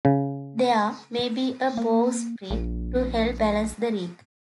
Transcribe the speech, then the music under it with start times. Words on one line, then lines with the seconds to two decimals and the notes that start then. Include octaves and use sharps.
There may be a bowsprit to help balance the rig.
0.05 C#3
1.77 A#3
2.50 A#1